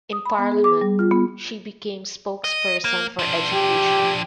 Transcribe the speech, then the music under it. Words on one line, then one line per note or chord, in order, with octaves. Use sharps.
In parliament, she became spokesperson for education.
D#6
B5
B3
G#4
D6
G3
F4
B3
D#5
A#3
F3 D4
G4